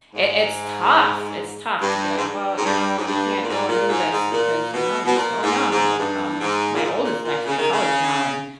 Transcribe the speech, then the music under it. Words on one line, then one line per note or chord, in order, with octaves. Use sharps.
it it's tough, it's tough to be like, "Well, you know, you can't go and do this because, you know, you're still young," like, um, my oldest is actually in college now, and,
G#2
G2
G#2
G2
G#2
G2
G#2
G2
A#2
G#2
A#2
G#2
G#2
A#2
B2
B2
A#2
G#2
G#2
G2
G#2
A#2
G#2
A#2
A#2
C#3
D#3
C#3